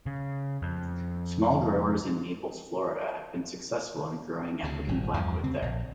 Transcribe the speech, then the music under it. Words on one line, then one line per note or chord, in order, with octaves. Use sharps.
Small growers in Naples, Florida have been successful in growing African blackwood there.
C#3
F2
D2 C#3
G#1 A#2 G3
E2 G2 F3
D2 C#3 C4
A#1